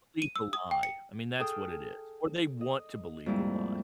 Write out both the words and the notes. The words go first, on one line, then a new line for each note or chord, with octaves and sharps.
believe the lie. I mean, that's what it is. Or they want to believe the lie.
D#7
E6
D#6
G5
C#7
G#4 A4 G5 D#6 F6
D#5
F2 A2 G3 G#3 A#3 E4